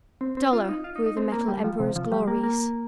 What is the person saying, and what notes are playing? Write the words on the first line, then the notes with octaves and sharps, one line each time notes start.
Duller grew the Metal Emperor's glories.
C4
C4
F4
D#4
F4
D#4
D#4
C4
A#3
G3
F3
C3
F3
G3
A#3
A#3